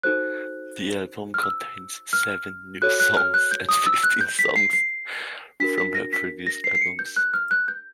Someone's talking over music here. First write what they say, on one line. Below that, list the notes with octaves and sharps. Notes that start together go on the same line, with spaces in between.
The album contains seven new songs and fifteen songs from her pervious albums.
D#4 F#4 A4 C5 F#6
F6
E6
F6
F#4 A4 C#5 F#6
F#6
F6
F#6
G6
D#6
E6
F#6
G6
B6
C7
C7
D4 F#4 A#4 B6
B6
A#6
B6
A#6
C7
C7
C#7
G6
F#6
F6
F#6
G6